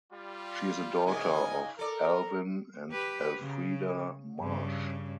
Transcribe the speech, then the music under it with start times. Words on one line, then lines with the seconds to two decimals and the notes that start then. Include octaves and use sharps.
She is the daughter of Alvin and Elfrida Marsh.
0.11 G3 F4
1.06 G#2 C#3 D4 D#5 G#5
1.79 A4 A#4 D5
2.91 G4 B4
3.42 C#3
4.40 G2 C#3